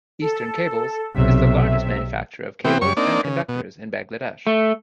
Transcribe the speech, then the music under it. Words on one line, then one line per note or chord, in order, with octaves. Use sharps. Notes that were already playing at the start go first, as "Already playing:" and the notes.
Eastern Cables is the largest manufacturer of cables and conductors in Bangladesh.
A4
B1 C3 E5
C3 E3 B3 C4 G4
F#2 G3 C#5 C#6
A#3 C4 D4 D#4 D5
C#3
B2
A3